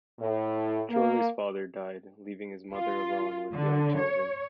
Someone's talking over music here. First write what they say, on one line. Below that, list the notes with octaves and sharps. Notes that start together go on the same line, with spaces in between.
Chorley's father died, leaving his mother alone with young children.
A2
A#3
F4
D3
C#5